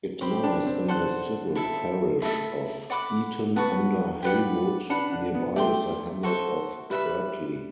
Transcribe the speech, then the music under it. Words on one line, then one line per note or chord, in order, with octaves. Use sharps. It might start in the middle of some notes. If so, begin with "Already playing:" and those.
It lies in the civil parish of Eaton-under-Heywood; nearby is the hamlet of Birtley.
C4 G4 C5 G5 B5
D4
C4
C4 A4 C5 F#5
E4 A4 E5
A3 E4 A4 E5
D5 F#5 B5 D6
B3 F#4 B4 F#5 A5
G4 B4 D5 F#5
D4 B4 F#5 B5
D4
B3
A3 D5 G5 C6
F#4 A4 C5
G3 B4 E5 B5